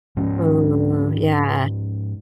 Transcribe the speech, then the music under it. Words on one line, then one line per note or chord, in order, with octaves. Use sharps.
Ooh, yeah.
G#2 F3 C#4